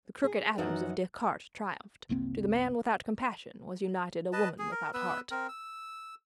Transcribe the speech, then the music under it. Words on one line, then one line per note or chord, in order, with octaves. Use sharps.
The crooked atoms of Descartes triumphed; to the man without compassion was united a woman without heart.
G#4
F#2 E3 D#4 F#4 F#5
F#1 C2 A#3 C4
B4 D#5 A5
G#4
A#4
B3 B4 E6
C4 A#4
E6